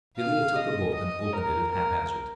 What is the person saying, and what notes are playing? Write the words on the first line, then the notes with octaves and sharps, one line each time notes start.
Villiers took the book, and opened it at haphazard.
F5
D#5
D#5
A#4
A#4